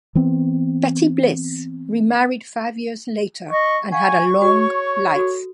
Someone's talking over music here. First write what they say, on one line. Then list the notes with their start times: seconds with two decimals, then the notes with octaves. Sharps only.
Betty Bliss remarried five years later and had a long life.
0.15 E3 B3 C4
3.51 D#5 C#6
3.92 F5 F#5 G#5 C#6
4.42 F#4 G#4 C#5
5.15 F#4 A4